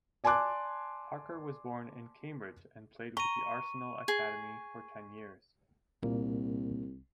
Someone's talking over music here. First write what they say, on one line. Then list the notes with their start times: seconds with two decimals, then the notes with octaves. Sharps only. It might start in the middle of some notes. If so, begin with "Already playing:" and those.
Parker was born in Cambridge and played with the Arsenal academy for ten years.
0.24 D5 G#5 A5 C6 D6 F#6
3.17 A#5 C#6 D#7
4.08 G#4
6.04 C2 A#2 A#3